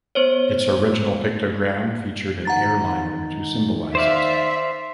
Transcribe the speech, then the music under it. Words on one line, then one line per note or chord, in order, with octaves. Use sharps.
Its original pictogram featured an airliner to symbolize it.
B3 C5 C#5
D#3 F#5 A#5 A6
C5 D5 E5 F5